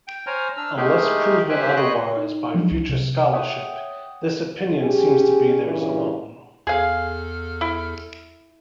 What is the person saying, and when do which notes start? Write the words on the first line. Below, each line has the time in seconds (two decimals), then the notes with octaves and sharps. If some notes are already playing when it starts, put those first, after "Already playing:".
Unless proven otherwise by future scholarship, this opinion seems to be theirs alone.
0.08 G5
0.27 C5 C#5 G#5 A#5 F6
0.57 D4 E6 F6
0.77 G#3 A3 D#4 G4 G#4 A#4
1.49 G4 C5 E5 G5 G#5 F#6
1.76 F#4 B4 C#5 D#5 C6 F#6
2.16 D#4
2.54 F3 F#3 G#3 D4
2.71 C2
2.89 C3
3.33 C#5 E5 F#5 G5 D#6
4.79 C#4 G4 G#4
5.63 G2 A#2 C#3 E3
6.67 E2 G#4 A4 F5 F6
7.61 E4